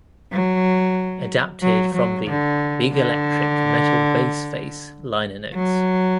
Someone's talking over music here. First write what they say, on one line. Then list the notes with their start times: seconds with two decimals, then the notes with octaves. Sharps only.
Adapted from the "Big Electric Metal Bass Face" liner notes.
0.32 F#3
1.62 F#3
1.95 F#3
2.28 D3
2.93 D3
5.54 F#3